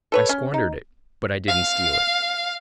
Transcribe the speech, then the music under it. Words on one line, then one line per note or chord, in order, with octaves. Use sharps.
I squandered it, but I didn't steal it.
A4 B4 C#5
C#4
D#4
F5